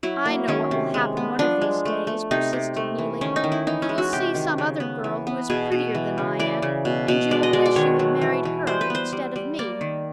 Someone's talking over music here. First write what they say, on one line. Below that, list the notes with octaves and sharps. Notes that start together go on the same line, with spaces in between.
"I know what will happen one of these days," persisted Neelie. "You will see some other girl who is prettier than I am; and you will wish you had married her instead of me!"
F#3 E4
A#3
D#3 C#4
C3
G#3
B3
F3 D4
G#3
A3
A3
C3 D#4
C3
A3
E3
D#3 C#4
D#4
D#3
E4
E3 D#4
C#4
G#3
F#4
C3 G4
D#3
C#3
B3
E3
B3
B2 G#4
B2
E3
C#3
E3 D5
C#3
B2
B2
G#3 D5
D#5
G#3 D5
D5
D#3 C#5
F#3
E3
E3
G3 C5
B4
B3 C5
G3
G3
A#3 D5
D#3